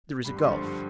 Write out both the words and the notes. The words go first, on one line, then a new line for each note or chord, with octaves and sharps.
There is a gulf.
G2 B5
C6
D3 F3
C#6
C6
G2 C#6